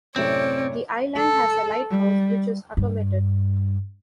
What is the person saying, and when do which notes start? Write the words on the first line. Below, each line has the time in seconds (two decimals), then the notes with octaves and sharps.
The island has a lighthouse, which is automated.
0.16 F#2 A2 C3 C4 C#5 D5
1.16 A4
1.91 G3
2.77 G2